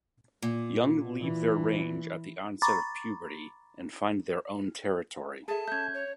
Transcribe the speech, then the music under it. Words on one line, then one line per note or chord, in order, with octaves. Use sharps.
Young leave their range at the onset of puberty, and find their own territory.
A#2
E3
A#5 B5 C#6 D6 A6
G#4 A4 E5 A5
C#4 E5 G6 G#6
C#5